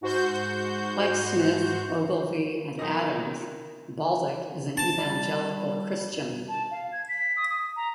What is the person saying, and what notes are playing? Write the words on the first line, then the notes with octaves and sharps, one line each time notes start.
Like Smith, Ogilvy and Adams, Baldock is an evangelical Christian.
G#2 F#4 C5 G6
B1 D#3 D#5
A5
G3
A5
F5
G#6
B6
D#6
D#6
A#5